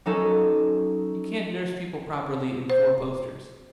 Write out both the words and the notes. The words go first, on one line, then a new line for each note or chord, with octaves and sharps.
You can't nurse people properly in four-posters.
F#3 C#4 D#4 A4
C5